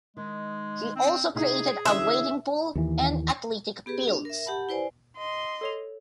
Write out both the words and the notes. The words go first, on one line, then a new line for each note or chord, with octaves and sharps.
He also created a wading pool and athletic fields.
D#3 G#3
C4
C3 D#4 E4 G#4
D3 E3 C#4 E5
D#2 E3
B3 G4 G#4 B4
D4
A#4 E5
G4 F#5 A5 B5
E4 B4 C5 D5 G#5
D#5 C6
A4 C#5 F7